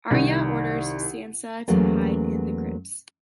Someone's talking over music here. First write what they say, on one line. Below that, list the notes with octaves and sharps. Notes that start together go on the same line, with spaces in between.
Arya orders Sansa to hide in the crypts.
C2 D#3
E2 F#3 A3 A#3 C#4